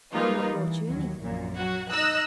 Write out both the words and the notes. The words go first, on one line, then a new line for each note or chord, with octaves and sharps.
'I've not brought you anything.
F3 G3 A#3 D#4 F4 B4
E3
D#2 F#3
A#1 F#2 A#2
F#3 F#4
D#4 D#5 E6 F#6